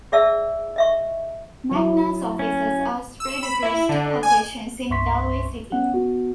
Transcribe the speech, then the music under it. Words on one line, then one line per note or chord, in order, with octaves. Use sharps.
Macnas offices are spread across two locations in Galway city.
G#4 D5 E5 A5 E6
D#5 E5 C#6
F#3 E4
C#4
E6
B5
E4
D3
G#5
C2 G2 E5 C6 C#6 B6
B3 C#4 F#5
B3 F#4